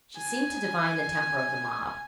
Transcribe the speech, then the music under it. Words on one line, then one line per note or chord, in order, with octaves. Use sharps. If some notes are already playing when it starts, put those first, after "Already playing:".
She seemed to divine the temper of the mob.
G#5